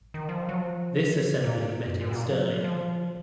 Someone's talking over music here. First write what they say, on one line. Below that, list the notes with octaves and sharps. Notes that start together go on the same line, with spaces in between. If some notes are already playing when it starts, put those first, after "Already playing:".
This Assembly met in Stirling.
D#3
F3
F#3
F3
C#3
A#2
G#2
F#2
G#2
B2
A#2
F#3
F3
F#3
F3